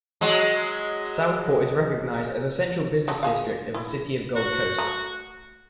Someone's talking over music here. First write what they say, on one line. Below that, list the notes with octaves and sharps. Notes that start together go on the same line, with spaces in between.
Southport is recognised as the central business district of the City of Gold Coast.
F#3 G#3
F#3 A3 D4
G#4 F5
E4
F#4
A3 A#5